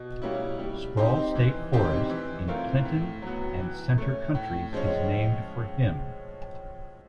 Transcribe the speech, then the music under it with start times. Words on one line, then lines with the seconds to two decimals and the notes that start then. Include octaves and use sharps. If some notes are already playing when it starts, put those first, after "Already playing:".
Sproul State Forest in Clinton and Centre counties is named for him.
Already playing: B2
0.22 G3 A#3 C#4 E4
0.59 G3
0.97 C4 D#4 G4
1.35 E3
1.72 G3 C4 D#4 G4
2.10 E3
2.47 A3 C4 F4 A#4
2.85 A2
3.22 F#3 B3
3.60 E3
3.98 A3 C#4
4.35 A2
4.73 F3 G#3 C#4